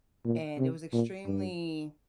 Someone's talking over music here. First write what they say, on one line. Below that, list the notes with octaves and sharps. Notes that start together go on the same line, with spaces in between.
and it was extremely
A#2
C3
A#2
G2